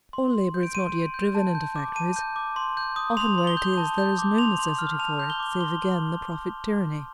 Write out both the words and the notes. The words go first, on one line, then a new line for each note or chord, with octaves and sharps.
All labour is not yet driven into factories; often where it is there is no necessity for it, save again the profit-tyranny.
C6
C6
G6
D7
C6 D#7
C6
G6
A5
G6
D6
A5 D#7
G6
D6
C6
G6
D#6
C6 F7
C6
G7
G6
A5
G6
D6
C6 F7
C6
F6
A5 F7
G6
G7
D6
C6 G7
C6